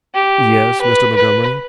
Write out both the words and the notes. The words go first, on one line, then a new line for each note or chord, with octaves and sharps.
"Yes, Mr. Montgomery?"
G4
B4
B4